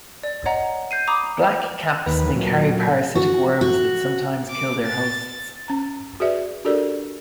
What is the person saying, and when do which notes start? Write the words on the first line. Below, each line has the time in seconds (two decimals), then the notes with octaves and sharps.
Blackcaps may carry parasitic worms that sometimes kill their hosts.
0.23 D5
0.46 C#5 D#5 F#5 A#5
0.91 G6 C7 D#7
1.08 A#5 B5 D6 D#6
2.06 D#2 B4
2.35 A#2 F#3
3.15 F#4
3.61 F#4
4.50 D6
4.85 A6
5.68 C#4 A#5
6.20 F#4 G#4 B4 D5 E5
6.65 D4 F#4 G4 A4 A#4 D5